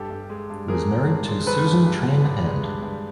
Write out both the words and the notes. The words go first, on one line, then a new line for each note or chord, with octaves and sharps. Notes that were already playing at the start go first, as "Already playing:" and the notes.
He was married to Susan Train Hand.
Already playing: G2 G4 A4
G2
G#3
G2
G2 G#4 A#4
G#3
G2
G#3
D#3 A4 B4
G2
G2
G#3
G2
G#3
G2
G2